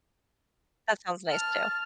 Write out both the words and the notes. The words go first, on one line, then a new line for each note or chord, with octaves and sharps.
That sounds nice too.
A5 F6